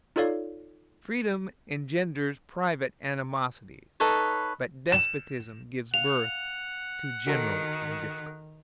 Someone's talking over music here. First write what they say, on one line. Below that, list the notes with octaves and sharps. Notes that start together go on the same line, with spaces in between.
Freedom engenders private animosities, but despotism gives birth to general indifference.
D#4 F4 A4 C#5 D5 F5
D#4 A4 B4 C#5
E7
F5 F#5 F7
D#3 F#4 A4 A#4